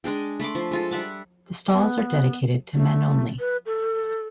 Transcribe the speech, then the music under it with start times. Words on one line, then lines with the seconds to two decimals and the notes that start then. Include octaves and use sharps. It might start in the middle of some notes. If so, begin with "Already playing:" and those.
The stalls are dedicated to men only.
0.04 G#3 D4 G#4 G5
0.40 A3 B5 C6 D6
0.55 F3
0.71 G#3 F4 A4
0.91 G3 E5 F#5 D6
1.72 B3
2.74 A3
3.40 B4
3.66 A4